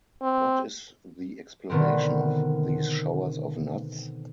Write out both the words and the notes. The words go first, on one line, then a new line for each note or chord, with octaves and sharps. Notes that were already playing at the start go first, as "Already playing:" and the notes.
What is the explanation of these showers of nuts?
C4
B2 D3 D#3 B3 C4